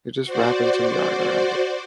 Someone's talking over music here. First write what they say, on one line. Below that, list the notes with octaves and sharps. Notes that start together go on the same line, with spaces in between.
you're just wrapping some yarn around it,
F#4 C5 D5